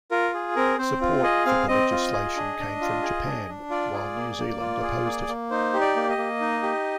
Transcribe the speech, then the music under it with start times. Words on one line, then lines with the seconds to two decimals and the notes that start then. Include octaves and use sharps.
Support for the legislation came from Japan, while New Zealand opposed it.
0.11 F4 A#4
0.34 G#4
0.56 C4 A#4
0.79 C4 C5
1.01 F4
1.23 G#4 D#5
1.46 C4 F5
1.68 C4 D#5
1.91 F4
2.13 G#4
2.36 D4
2.59 D4
2.81 F4
3.03 G#4
3.25 D4
3.49 D4
3.70 F4 D5
3.93 G#4
4.15 A#3
4.38 A#3
4.60 F4
4.83 G#4
5.05 A#3
5.28 A#3
5.51 D#4 C5
5.73 G4
5.81 D5
5.96 A#3
6.10 D#5
6.18 A#3
6.40 D#4
6.63 G4